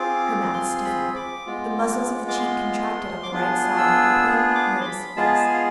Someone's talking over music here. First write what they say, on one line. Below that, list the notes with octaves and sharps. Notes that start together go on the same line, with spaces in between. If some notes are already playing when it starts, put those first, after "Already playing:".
Her mouth stiffened, the muscles of the cheek contracted on the right side of her pale, nervous face.
Already playing: C4 F4 G#4 D6
C6
B5
D6
G#3 B3 F4
D6
C6
D6
B3 D4 F4 G#4 C6
E6
D6
C6
B5
G#3 B3 F4 G#4 A5
G#5
F5